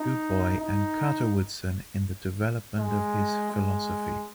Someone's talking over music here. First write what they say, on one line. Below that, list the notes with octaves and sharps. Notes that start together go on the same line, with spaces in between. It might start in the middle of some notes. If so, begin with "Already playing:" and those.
Du Bois and Carter Woodson in the development of his philosophy.
Already playing: D#4
D#4
G#3
G#3